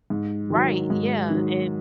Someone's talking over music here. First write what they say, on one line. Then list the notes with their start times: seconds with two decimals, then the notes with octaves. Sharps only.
right, yeah, and
0.10 G#2
0.50 D#3 F#3
0.90 G#2
1.30 D#3 F#3